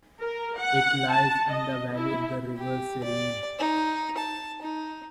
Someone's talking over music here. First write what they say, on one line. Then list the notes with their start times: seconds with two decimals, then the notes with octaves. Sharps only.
It lies in the valley of the River Serein.
0.20 A#4
0.57 F#5
1.10 A5
1.51 D#5
1.94 E4
2.57 G4
3.03 D5
3.59 D#4
4.17 A5
4.61 D#4